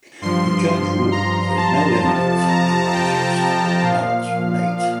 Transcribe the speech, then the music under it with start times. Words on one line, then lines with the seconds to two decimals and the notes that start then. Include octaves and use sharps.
The judge ruled that no evidence had been produced that the ballots were late.
0.22 G2 F3 C6
1.12 A#5
1.57 A5
2.03 F2 C3 F3
2.48 A#5
2.93 G5
3.83 A#2 F3 F5